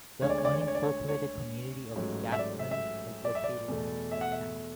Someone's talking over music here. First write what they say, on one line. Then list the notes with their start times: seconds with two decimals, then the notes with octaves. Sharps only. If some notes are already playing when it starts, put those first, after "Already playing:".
The unincorporated community of Gaslyn is located in the town.
0.22 D2 D3 G#3 C#5
0.30 D5
0.38 C#5
0.45 D5
0.53 C#5
0.60 D5
0.68 C#5
0.75 D5
0.83 C#5
1.08 C#5
1.96 A1 G#2 F#3 A3
2.32 E5
2.39 D5
2.59 E5
2.71 E5
3.25 D5
3.35 E5
3.44 D5
3.68 E2 B2 A3
4.12 E5
4.21 F#5
4.32 E5